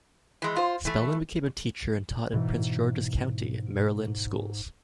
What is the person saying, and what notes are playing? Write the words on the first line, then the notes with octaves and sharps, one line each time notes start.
Spellman became a teacher, and taught in Prince George's County, Maryland, schools.
E3 G#3
F4 C5
E3 A3
G#2 B2 E3